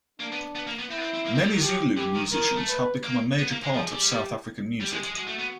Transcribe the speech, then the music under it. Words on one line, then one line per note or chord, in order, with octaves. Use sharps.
Many Zulu musicians have become a major part of South African music.
A#3 D4
B3
B3
A#3
B3
C4 E4
B3
C4
C4
A#3
C4
G3
F#3
F3 G4
E3 G4
D#3
D#3 A#4
D#3
A3
B4
A#3
B3
A#3
G#3
F3 G#4
G3
G4
G3 G4
G#3
G#3
G#3 F#4
A3
B3